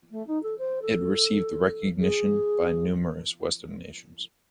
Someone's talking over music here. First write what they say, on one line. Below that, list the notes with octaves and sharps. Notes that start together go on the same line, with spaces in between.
It received recognition by numerous western nations.
A3
D#4
A4
C5
A4
G#4